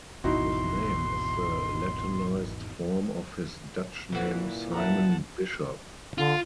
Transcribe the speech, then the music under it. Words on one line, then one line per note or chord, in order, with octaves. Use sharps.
His name is the Latinized form of his Dutch name Simon Bisschop.
G#1 E2 B2 D#4 E4 F#4 C6
A#2 E3 F#4
E5 F#5 A5 A#5
D3 F4